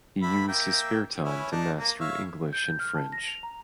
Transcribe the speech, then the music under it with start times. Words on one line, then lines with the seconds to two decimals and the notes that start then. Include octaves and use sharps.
He used his spare time to master English and French.
0.22 D3 E5 B5
0.48 A#3 E5 G5
1.24 C#4 E4 B4
1.52 D4 D#4
1.79 A#3
2.00 C#5 E5 F5
2.53 G6
2.79 F6
2.95 A5
3.12 A#6
3.27 F7
3.43 A#5